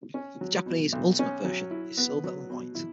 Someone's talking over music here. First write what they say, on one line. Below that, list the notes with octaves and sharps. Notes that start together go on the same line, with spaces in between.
The Japanese "Ultimate Version" is silver and white.
C#4
F#3
B2
B1
C#4
F#3
E4
B3
F#3
B2
E4